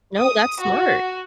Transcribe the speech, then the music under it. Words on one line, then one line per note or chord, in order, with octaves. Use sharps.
No, that's smart.
D#6
F#4